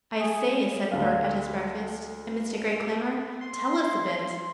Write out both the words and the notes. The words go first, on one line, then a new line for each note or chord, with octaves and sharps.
"I say," said Bert at his breakfast, amidst a great clamour, "tell us a bit."
G#4
D2 F5
C6